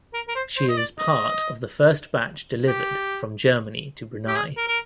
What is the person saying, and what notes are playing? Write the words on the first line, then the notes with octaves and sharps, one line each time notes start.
She is part of the first batch delivered from Germany to Brunei.
A#4
A#4
C5
C5
D#5
D5
D#5
G4
G4
G#4
A#4
A#4